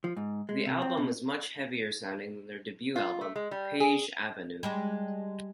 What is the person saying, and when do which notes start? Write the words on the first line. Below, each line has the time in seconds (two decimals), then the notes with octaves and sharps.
The album is much heavier sounding than their debut album "Page Avenue".
0.04 F3
0.17 G#2
0.49 G#3
0.66 C3
0.82 C4
0.97 B2
2.96 F4
3.21 A3
3.36 G#3
3.51 G3
3.80 G#4
4.63 G3 G#3 D4